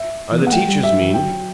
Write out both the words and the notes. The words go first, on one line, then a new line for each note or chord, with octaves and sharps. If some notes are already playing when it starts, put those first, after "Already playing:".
"Are the teachers mean?"
Already playing: E5
E3
B3
F#5
A3 G5
G3
G3 E5
F#3
E3
F#3 G5